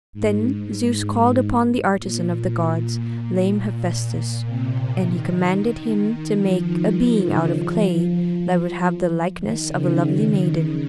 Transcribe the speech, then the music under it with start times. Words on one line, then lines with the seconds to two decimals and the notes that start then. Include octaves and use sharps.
Then Zeus called upon the artisan of the gods, lame Hephaestus, and he commanded him to make a being out of clay that would have the likeness of a lovely maiden.
0.13 G#2
1.98 A#2
3.22 A#2
3.84 A#2
4.45 C3
5.07 D#3
6.31 F3
6.61 D#3
6.92 D#3
7.22 C#3
7.53 F3
9.39 D#3
9.70 C#3